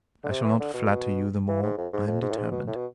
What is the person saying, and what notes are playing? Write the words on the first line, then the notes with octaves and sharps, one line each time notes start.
I shall not flatter you the more, I am determined.
D3
C3
E3
D3
B2
E3
G#2
F2
G#2
F2
G#2
A2
G#2
B2
A2
B2